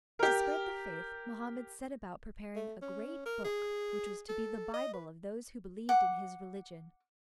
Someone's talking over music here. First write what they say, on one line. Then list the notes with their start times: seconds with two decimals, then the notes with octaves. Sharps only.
To spread the faith Mohammed set about preparing a great book which was to be the bible of those who believed in his religion.
0.19 G4 A#4
2.56 A3
2.82 C#4
3.26 A#4
3.45 G#4
4.29 A4
4.74 D#5
4.94 B4
5.89 F#5 D6